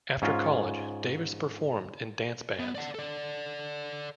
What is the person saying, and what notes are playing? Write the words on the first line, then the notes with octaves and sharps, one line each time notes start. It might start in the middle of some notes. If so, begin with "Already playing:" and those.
After college, Davis performed in dance bands.
G#2 C#4 F4
B3
D5 F#5
A4 D5